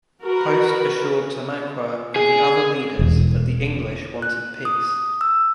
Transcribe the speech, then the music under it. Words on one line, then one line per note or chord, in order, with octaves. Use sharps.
Post assured Tamaqua and the other leaders that the English wanted peace.
F#4 A#4 B4
G#4
E1
F#6
D#6
E6